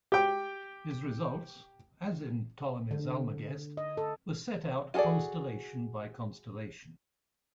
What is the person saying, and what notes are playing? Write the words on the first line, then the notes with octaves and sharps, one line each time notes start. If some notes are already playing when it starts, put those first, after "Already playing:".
His results, as in Ptolemy's "Almagest", were set out constellation by constellation.
G4 G5
D3
D#5
A4
F4 F#4 G#4 A4 D5